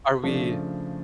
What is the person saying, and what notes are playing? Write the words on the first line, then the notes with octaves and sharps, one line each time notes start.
are we
C#3 F3 A3 D4